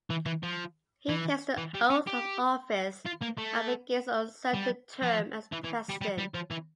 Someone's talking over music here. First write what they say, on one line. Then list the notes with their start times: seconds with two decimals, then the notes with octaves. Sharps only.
He takes the oath of office and begins an uncertain term as President.
0.10 E3
0.26 E3
0.43 F3
1.09 E3
1.58 E3
1.75 G3
1.90 C#4
2.07 G4
3.06 F4
3.22 A#3
3.38 A3
4.54 G3
5.03 F3
5.52 E3
5.64 E3
5.89 G3
6.01 G3
6.18 G3
6.35 F3
6.51 E3